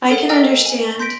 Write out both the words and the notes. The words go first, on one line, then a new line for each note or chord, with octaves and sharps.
I can understand.
A4 A#4 C#5 F#5
D#5 G5 G#5 A#5 E6 F6
G#5
C6 G6 A#6 B6 D7